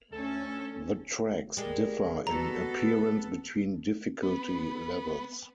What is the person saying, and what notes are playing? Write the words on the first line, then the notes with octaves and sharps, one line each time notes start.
The tracks differ in appearance between difficulty levels.
D2 C#4 A4
G3 G#3 A#4
B3 F#4 A4 A#5
B3